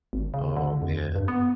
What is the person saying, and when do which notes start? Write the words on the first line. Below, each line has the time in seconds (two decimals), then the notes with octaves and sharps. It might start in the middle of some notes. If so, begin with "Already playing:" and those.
Oh, man.
0.13 G#1
0.34 C#3
0.57 D3
0.82 F2
1.16 G2
1.28 B3